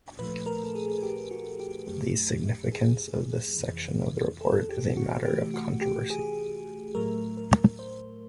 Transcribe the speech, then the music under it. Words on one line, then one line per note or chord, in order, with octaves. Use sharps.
The significance of this section of the report is a matter of controversy.
A#2 F3 A3 B4
A#4
A4
G#4
G4
F#4
G4
F#2 D3 F#3 A3 G4
G#4
F2 C3 E3
A4
G4
F#4
C3 E3 A3 G4
F#4
G4
G#4
A2 F#3 A3 A#4
A#4
C5